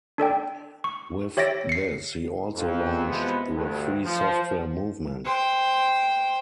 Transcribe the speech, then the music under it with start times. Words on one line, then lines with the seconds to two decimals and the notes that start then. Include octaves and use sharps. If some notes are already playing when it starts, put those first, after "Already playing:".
With this, he also launched the free software movement.
0.18 D4 A4 D5 G5
0.84 C#6
1.37 G4 C#5 E5 A6 A#6 D7
1.69 C7 C#7
2.54 F2
3.06 E2 C3 F3 G#3 B3
3.54 D2 G2
4.04 F3
5.25 C5 G5